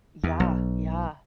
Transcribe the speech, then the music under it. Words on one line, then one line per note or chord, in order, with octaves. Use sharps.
Yeah, yeah.
E2
B1